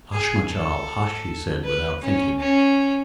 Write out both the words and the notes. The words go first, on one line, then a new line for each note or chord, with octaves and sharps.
"Hush, my child, hush!" he said, without thinking.
G#4
A4
B4
C#4
C#4